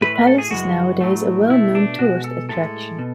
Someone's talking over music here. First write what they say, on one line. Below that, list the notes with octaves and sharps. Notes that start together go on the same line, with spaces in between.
The palace is nowadays a well known tourist attraction.
A2 E3 A3 B4
B4
A4
G#4
F#2 C#3 E3 G#3 F#4
A2 F#3 A3
B2 A3 E4
D4
B2 G#3 F#4
A4
A2 G#3 A4
B2